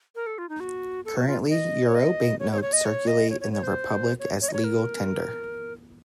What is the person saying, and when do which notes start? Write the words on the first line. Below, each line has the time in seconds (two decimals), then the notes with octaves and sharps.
Currently euro banknotes circulate in the Republic as legal tender.
0.15 A#4
0.26 A4
0.38 F4
0.49 D#4
0.60 F#4
1.05 A4
1.16 F#4
1.27 F4
1.50 D#5
1.88 C#5
1.95 D#5
2.40 C#5
2.51 C#5
2.58 C5
2.62 C#5
2.73 D#5
2.85 C#5
3.07 D#5
3.30 C#5
3.41 C#5
3.52 C#5
3.63 C5
4.19 C#5
4.42 C#5
4.48 D#5
4.53 C#5
4.64 A#4